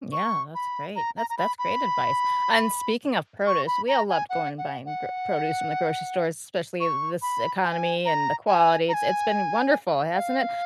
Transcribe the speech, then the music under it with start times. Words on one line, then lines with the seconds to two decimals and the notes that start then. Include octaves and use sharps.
Yeah, that's great. That's that's great advice, and speaking of produce, we all loved going and buying gr produce from the grocery stores, especially th this economy and the quality, it's it's been wonderful, hasn't it?
0.12 C#6
0.55 B5
0.96 A#5
1.17 A#5
1.30 A#5
1.38 B5
1.59 B5
3.47 C#6
3.67 B5
3.88 A#5
4.09 G#5
4.30 F#5
4.58 F#5
4.86 F#5
6.80 C#6
7.22 B5
7.64 G#5
8.05 A#5
8.47 G#5
8.89 A#5
8.94 G#5
10.14 F5